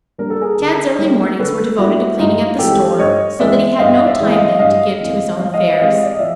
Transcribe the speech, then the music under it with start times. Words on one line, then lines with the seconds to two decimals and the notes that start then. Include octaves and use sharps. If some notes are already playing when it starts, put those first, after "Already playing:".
Tad's early mornings were devoted to cleaning up the store, so that he had no time then to give to his own affairs.
0.18 G3 A#3 D4 A#4
0.30 A4
0.41 G#4 A#4
0.59 D3
0.99 G3 A#3 D4
1.39 D3 A4 B4
1.79 G3 A#3 D4 E4 F#4
2.19 G2 D#4 F4
2.59 E3 G#3 C4 G4 A4
2.99 G2 C#5 D#5
3.39 E3 G#3 C4 D5 E5
3.79 G2 D#5 F5
4.06 D5 E5
4.19 E3 G#3 C4
4.32 D#5 F5
4.59 G2 D#5 F5
5.00 E3 G#3 C4
5.39 F3 F5
5.54 D#5 F5
5.79 G#3 C4 E4 G4 D#5 F5
6.04 D5
6.13 D#5
6.19 F3 D5 E5